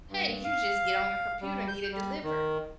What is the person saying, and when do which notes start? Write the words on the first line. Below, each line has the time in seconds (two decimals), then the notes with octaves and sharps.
hey, you just get on your computer and get it delivered.
0.09 G2
0.44 F5
1.41 G3
1.68 G6
1.92 G3
2.23 D#3